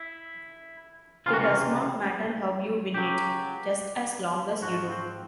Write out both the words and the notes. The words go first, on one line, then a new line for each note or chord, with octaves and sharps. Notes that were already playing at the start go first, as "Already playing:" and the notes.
It does not matter how you win it, just as long as you do.
Already playing: E4
C#2 C3 E3 F4
F#4
F4
C#2 C#3 F#3 G4
G#2 F3 F#4
C4